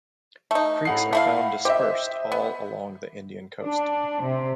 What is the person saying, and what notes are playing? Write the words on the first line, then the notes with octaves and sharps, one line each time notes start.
Creeks are found dispersed all along the Indian coast.
A3 D#4
A2 F#5 C7
A3 E4 F5
G4 C5 D#5 E5
B3
D4
C3